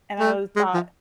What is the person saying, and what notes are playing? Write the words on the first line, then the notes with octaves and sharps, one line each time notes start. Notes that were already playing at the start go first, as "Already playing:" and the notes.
and I w thought
A3
G#3
F3